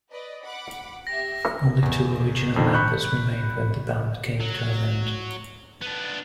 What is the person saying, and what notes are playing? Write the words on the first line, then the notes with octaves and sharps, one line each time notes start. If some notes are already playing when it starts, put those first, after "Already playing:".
Only two original members remained when the band came to an end.
B4 D5 D#5
F#5 B5 D6
G4 E5 A#6
E2
F2 D3 D#3
B5 C#6 F#6 G6
F#3
B3 D4